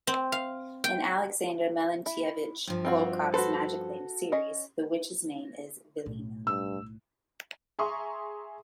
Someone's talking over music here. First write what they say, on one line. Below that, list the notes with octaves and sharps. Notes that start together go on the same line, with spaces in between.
In Alexander Melentyevich Volkov's Magic Land series, the Witch's name is Villina.
C4
F5
G5
E4
G2 F3
C4 F4 F#4
F#4 A4 B4 C5
C#4 D#5
B1 A2
G2 E6
G#4 E5 A#5 C6 C#6 D#6